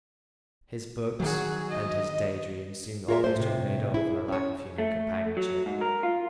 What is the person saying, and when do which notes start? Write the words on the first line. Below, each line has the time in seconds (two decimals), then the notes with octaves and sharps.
His books and his day dreams seem always to have made up for a lack of human companionship.
1.20 D#3 F#3 F#4 G#4
1.70 D#5
3.08 F4 G#4 A#4 C#5 E5
3.24 A3 C5
3.36 A2 C3
3.94 E4 G#4
4.28 C#4 C#5
4.78 A3
5.37 F#3
5.66 G#2
5.81 A#4
6.03 F4